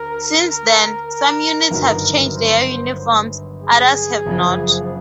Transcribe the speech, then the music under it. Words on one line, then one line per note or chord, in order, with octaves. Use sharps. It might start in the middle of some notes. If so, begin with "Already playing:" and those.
Since then, some units have changed their uniforms, others have not.
Already playing: D2 A#4
A#4
A#4
G1 F#2 D#3 F#3 A#4
C5
G#4
F#1 F2 C#3 F3